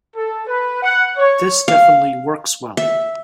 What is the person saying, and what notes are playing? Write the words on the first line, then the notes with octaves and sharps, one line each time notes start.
This definitely works well.
A4
B4
F#5
C#5
F5
E5